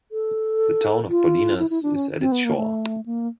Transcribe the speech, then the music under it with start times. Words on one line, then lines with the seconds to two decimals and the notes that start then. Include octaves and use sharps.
The town of Bolinas is at its shore.
0.12 A4
1.10 F4
1.59 E4
1.70 E4
1.83 D4
1.96 C#4
2.20 C4
2.32 B3
2.45 A#3
2.57 A3
3.06 A#3